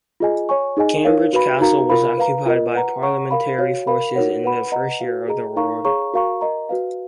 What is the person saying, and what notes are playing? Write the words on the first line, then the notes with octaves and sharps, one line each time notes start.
Cambridge Castle was occupied by Parliamentary forces in the first year of the war.
F4 G#4 D#5 G#5
C#5 G#5 C#6
D#4 G#4 D#5 G#5
D#4 A#4 C#5 F5
F#4 B4 F5 B5
D#4 F#4 A#4 F5 A#5
F4 A#4 F5 B5
B4 F5 A#5
F4 A#4 D#5
B4 F#5 A#5
C#5 F#5 A#5 C#6
A#4 F5 B5
F#4 C#5 F5
A#4 F5 B5
D#4 F#4 A#4 C#5 F#5
B4 F#5 B5
B4 D#5 F#5 A#5
F#4 B4 F5
G#4 D#5 A#5
D#4 A#4 F5 A#5 C#6
G#4 C#5 F5 A#5 C#6
F#4 A#4 F5 A#5 C#6
A#4 D#5 A#5
F#4 B4 F5